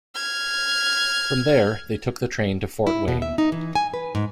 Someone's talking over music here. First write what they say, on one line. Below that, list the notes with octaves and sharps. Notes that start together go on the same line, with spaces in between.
From there, they took the train to Fort Wayne.
F6 G#6
E4
B2
E5
D#4
E3
G#5
B4
G#2